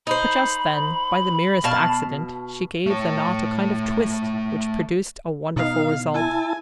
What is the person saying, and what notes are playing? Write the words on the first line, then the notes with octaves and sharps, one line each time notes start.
But just then, by the merest accident, she gave the knot a kind of twist, which produced a wonderful result.
D#4 C5 B5
B2 F5 A5
A3 C#5
B2 B3 D#4 F5
E4 G#5 A5